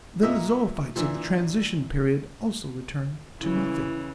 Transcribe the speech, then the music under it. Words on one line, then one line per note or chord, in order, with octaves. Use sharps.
Then the zoophytes of the transition period also return to nothing.
A#2 A#3 D#5 E5 E6
A#2 E3 D4 E4 E5
C#3 E3 E4